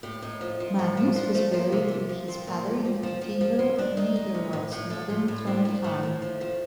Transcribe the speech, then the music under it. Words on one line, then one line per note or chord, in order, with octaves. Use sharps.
Magnus was buried with his father in the cathedral at Nidaros, modern Trondheim.
A2 G4
A2 D#4
F3
F3
A2
F3
F3 D4
F3 A3
F3 A#3
C3
F3
F3
F3 C4
A#2
A#2
F3
F3
F3
F3
F3
D#3 D4
D#3 D#4
D#3
C3
A2
A2
A2 A4
A2 F4
A2
F3 D4
F3 A#3
A2 A3
A2
F3
F3